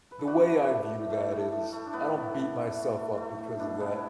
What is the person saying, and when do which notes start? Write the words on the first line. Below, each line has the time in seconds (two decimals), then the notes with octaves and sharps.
the way I view that is I don't beat myself up because of that.
0.11 B4
0.19 A4
0.27 A2 D4 F#4
0.48 A3
0.68 A3
0.90 A2
1.10 A3
1.31 A2
1.52 A2
1.73 A3
1.86 D4
1.93 A2 B3 E4
2.14 A3
2.35 A3
2.56 A3
2.77 A3
2.97 A3
3.18 A3
3.39 A2
3.59 B2 D4
3.80 B2 B3
3.92 E4